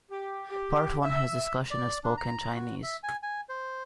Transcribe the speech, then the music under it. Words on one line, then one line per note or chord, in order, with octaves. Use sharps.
Part One has discussion of spoken Chinese.
G4
G4
E5
D5
D4
A#5
F#4
E5
G#5
G#5
C5